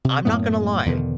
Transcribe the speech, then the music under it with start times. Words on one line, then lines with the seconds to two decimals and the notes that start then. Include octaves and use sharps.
I'm not gonna lie,
0.05 C3
0.25 F#2 A2 A#3 B3
0.86 E2 B2 D3 D#3